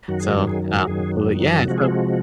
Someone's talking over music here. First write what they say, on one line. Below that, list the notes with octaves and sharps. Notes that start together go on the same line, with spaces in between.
So, uh well, yeah, so
F#2 D#3 F#3 F#4
G#4
F#4
G#4
F#4
F#2 D#3 F#3 G#4
C3 F3 G#3 F#4
G#4
F#4